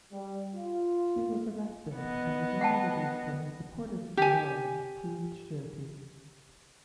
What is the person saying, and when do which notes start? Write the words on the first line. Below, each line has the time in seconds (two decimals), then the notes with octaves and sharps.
She was arrested and was only released when her supporters from Norwich proved surety.
0.12 G3
0.55 F4
1.96 B3 D#5
2.61 F#5 G5 A5
4.17 G4 G#5